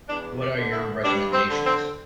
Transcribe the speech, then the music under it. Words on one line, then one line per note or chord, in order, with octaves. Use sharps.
What are your recommendations?
E2 D4
D5
D3
E4
G2 D4
C4
D3
C4